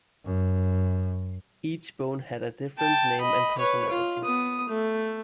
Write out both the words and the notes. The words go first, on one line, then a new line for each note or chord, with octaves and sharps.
Each bone had a different name and personality.
F#2
G5 A5
D#5 B5
B4 C#5
F4
B3 D#6
A3